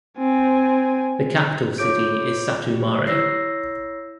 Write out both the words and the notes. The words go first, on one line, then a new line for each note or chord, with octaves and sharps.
The capital city is Satu Mare.
C4 G#5
F4 A4 C#5 D6 G6 D7
G4
E4 C#5 E6 A#6 C7